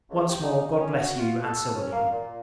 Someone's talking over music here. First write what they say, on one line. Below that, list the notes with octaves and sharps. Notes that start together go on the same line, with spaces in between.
Once more, God bless you and Sir William.
C#2
G4
D#4
C#4
F#4
F4
A4
C#4
A#3
A#2